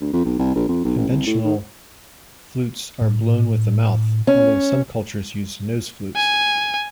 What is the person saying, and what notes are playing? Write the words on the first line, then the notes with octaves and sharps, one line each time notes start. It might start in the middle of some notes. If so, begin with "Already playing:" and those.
Conventional flutes are blown with the mouth, although some cultures use nose flutes.
D2
F2
B1
C2
A#1
F2
B1
A1
C2
A2
D#3
A2
C#4
G#5